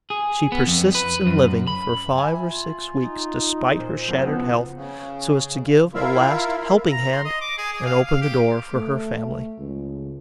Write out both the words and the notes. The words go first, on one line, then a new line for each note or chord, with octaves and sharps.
She persists in living for five or six weeks, despite her shattered health, so as to give a last helping hand and open the door for her family.
G#4
B3
F2
B4
F#2
B5
E5 G#5
F4
D#4
A#2 C5
F#1 C2 C4
C#2 F3 B3
C#3
E4 F4 A#4 E5 F5
A#5
C6
D#5
D6
G#4
G#4
F5
F5
G4
A3
C#2